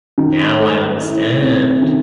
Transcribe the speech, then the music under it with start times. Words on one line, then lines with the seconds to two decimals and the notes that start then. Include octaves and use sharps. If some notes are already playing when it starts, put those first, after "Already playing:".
Now I understand.
0.18 D#3
0.59 A3
1.01 E4
1.42 C3
1.82 D#3